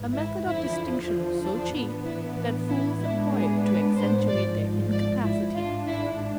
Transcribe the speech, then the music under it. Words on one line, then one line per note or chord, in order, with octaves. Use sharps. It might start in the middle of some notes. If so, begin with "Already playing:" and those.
A method of distinction so cheap that fools employ it to accentuate their incapacity.
Already playing: G#1 G#2 E3
E4
E2 D3 F3 E4
D4
A2 E3 B3 D4
E4
E4
A2 G#3 B3 D4 E4
G#4
B4
C5
G#1 G#2 F3 G#3 D5
D5
E4
G#1 G#2 G#3 D4 F4
E4